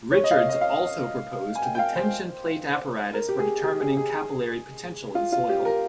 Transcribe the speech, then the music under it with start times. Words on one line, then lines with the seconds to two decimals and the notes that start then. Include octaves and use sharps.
Richards also proposed the tension plate apparatus for determining capillary potential in soil.
0.11 C#5
0.24 D#5
0.31 F5
0.36 D#5
0.49 D#5
0.61 F5
1.55 G#5
1.62 G5
1.75 G5
1.79 F5
1.96 C5
3.13 A#4
3.28 G4
3.39 G#4
3.64 G4
3.81 G#4
3.97 G#4
5.15 F4
5.32 F4
5.49 G4
5.65 A#4